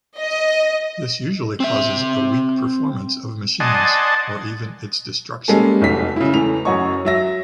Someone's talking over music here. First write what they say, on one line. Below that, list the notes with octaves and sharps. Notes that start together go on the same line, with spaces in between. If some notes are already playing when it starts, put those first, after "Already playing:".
This usually causes a weak performance of machines or even its destruction.
D#5
C4 E5
D5 D#5 F#5 G#5 A5 C6
G3 G#3 A#3 C#4 A4
F1 B1 B6
C#3 E4
E2 E3 A3 F7
F#2 F#4 C#5 D#5 C#6
F#3 E5 A#6